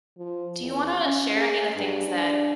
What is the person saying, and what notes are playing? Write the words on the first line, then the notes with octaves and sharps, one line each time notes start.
Do you wanna share any of the things that
F3
E2
C#4
G#4
G2
D4